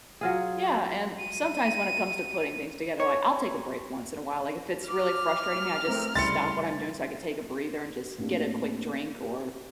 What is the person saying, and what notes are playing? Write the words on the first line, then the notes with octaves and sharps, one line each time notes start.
Yeah, and sometimes when it comes to putting things together, like, I'll take a break once in a while. Like, if it's really frustrating me, I just stop what I'm doing so I could take a breather and just get a quick drink or
F#3 F4 G#4
D#7
C#5
D6 F6
A3 C4 A#4
C#3 G3 E4 C6 A6 C#7
A2 A#3 C4 D4 G4
G4